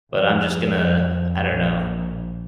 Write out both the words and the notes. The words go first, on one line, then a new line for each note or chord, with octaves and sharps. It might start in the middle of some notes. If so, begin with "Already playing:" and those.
but I'm just gonna, I don't know
F2
A#1